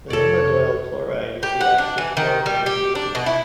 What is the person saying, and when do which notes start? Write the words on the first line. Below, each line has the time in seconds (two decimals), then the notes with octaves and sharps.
The imidoyl chloride is the active chlorinating agent.
0.10 F2 C3 A4 C#5 D5
1.43 G4
1.61 F#5
1.78 D4
1.98 E3
2.17 D#3
2.46 G3
2.66 G4
2.95 D4
3.15 B2
3.26 E4